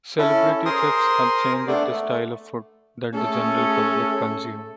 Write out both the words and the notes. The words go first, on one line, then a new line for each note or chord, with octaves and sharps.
Celebrity chefs have changed the style of food that the general public consume.
C#4 E4 A4
G#4 A#4 C5 C6 D#6
A3 B3 D4 A4 D5
A3
A3 C#4 G#4 A4